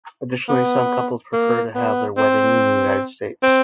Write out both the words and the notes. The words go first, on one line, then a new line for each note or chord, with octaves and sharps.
Additionally, some couples prefer to have their wedding in the United States.
B3
A#3
B3
C4
C4